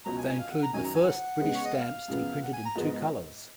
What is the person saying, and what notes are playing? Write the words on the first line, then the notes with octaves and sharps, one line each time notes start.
They include the first British stamps to be printed in two colours.
C#2 B2 F#3 A#5
G#5
G#5
F5
F#5
A#5
F#2 D#3 F#3 G#5
A#5
G#5
F#5
C#3 G#3 B3
C#5
D#5
F5
F#2 C#3 F3 B3
F#5
G#5
A#5
G#2 F3 G#3 B3